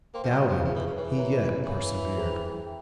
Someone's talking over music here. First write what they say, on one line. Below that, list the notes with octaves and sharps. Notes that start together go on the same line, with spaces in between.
Doubting, he yet persevered.
A#3 C5 G5 C6
F3
G3
F3
F3 E4 G#4 E5
E3
C#3
E3
A#4 C#5 E5 A#5
E3 A#4 C#5 F5 G#5
G#4 C5 G5 A#5
G5